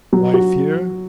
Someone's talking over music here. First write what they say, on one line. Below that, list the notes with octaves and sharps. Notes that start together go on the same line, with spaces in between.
"Wife here?"
F#3
F#4